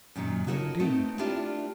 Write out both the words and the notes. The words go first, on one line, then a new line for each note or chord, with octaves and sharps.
No, indeed!
F#2 A#2 D#3 F#3
D#4 F4 F#4 A4 A#4 C#5
A3 B3 C4 D#4
D4 E4 F4 G4 A#4 D5